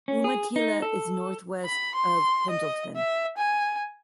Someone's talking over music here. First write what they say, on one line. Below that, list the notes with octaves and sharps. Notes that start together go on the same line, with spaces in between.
Umatilla is northwest of Pendleton.
C#4
G#4
D#4
A4
B5
C6
D#5
E5
G#5